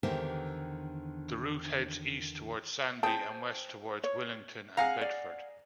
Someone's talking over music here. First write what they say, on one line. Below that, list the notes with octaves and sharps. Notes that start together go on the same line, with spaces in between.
The route heads east towards Sandy and west towards Willington and Bedford.
E2 D3 D#3 G4 C5 E5
G#4 C5 G5 A5 D#6
C#5
G#4 F5 F#5 G#5 A#5
D5